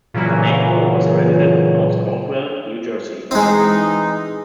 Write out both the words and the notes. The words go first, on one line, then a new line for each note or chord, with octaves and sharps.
Daneyko was a resident of North Caldwell, New Jersey.
A#2 C#3 E3 F#3
E3 G#3 C4 D#4